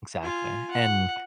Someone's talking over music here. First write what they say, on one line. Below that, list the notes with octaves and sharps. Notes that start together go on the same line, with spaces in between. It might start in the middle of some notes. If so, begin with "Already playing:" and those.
Exactly, and,
F4 G#5
F#5